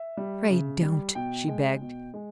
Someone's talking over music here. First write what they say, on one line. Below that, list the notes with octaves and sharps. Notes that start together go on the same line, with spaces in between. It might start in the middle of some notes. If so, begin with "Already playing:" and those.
"Pray don't!" she begged.
Already playing: E5
G3
C#3
G3
B2 G5
G#3
B2
G#3